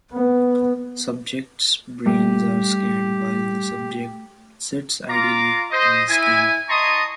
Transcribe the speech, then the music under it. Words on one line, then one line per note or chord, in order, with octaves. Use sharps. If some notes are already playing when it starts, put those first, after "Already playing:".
Subjects' brains are scanned while the subject sits idly in the scanner.
B3
G2 G3 A3 G4
F4 A#5 D6
C5 D#5
E4 G#5
D#5 A5 A#5 C6 C#6 D#6